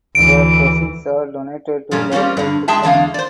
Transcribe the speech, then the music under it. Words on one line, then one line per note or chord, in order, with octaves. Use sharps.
The proceeds are donated to local food banks.
D2 E3 D7
F#2 A#2 G3 C#4
G3 A#3 C4 C#4 F4
G2 D3
G#3 G#4 E5 G5 A5
E2 D3 G#3 F5
C5 D5